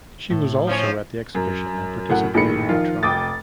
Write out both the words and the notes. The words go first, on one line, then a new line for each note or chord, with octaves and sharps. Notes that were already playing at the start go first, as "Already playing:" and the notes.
She was also at the exhibition and participated in the trial.
A2
F3 C#4 C#5
F#2
F#2 A2 F#5
A#1 A2 D#3 G#4 B5 C#7
D#3 F3 F4
F1 G5 D6 D#6 A6